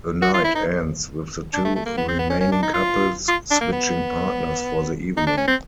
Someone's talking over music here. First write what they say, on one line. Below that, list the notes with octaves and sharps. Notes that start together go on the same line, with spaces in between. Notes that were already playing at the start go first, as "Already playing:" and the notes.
The night ends with the two remaining couples switching partners for the evening.
F#4
F4
E4
D#4
D4
A3
A3
A#3
B3
C4
B3
C#4
C#4
D4
D#4
F4
F4
D4
A#3
B3
D#4
D4
C#4
C4